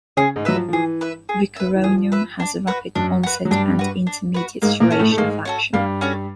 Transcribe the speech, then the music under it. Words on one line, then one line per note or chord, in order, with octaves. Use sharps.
Rocuronium has a rapid onset and intermediate duration of action.
C#3 C#4 G#4
G#2 G#3
F#3 B4 E5
F3
F3
E3 G#4
B4 E5
G#4
B4 E5
E3
F3 G#4
B4 E5
D4
F#4 B4
F#2 F#3 D4
F#4 B4
F#3
G2 G3 D4
F#4 B4
D4
F#4 B4
G#2 G#3 A#3
A#2 A#3
C#4 F#4 A4
A2 A3
A3
G#2 G#3 A#3
C#4 F#4 A4
G2 G3 A#3
C#4 F#4 A4